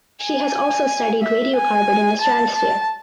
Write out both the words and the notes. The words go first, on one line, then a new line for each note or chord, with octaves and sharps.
She has also studied radiocarbon in the stratosphere.
G#5
E5
G#5
A5
A5